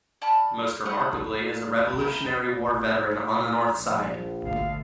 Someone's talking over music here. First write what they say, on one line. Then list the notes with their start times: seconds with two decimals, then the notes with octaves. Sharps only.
Most remarkably is a Revolutionary War veteran on the north side.
0.22 D5 A5 B5 F6
0.86 A3 D#4 F#5 C#6
1.99 E4 A#4 G5
3.77 A#1
4.44 G#1 D2 B2 D3 F5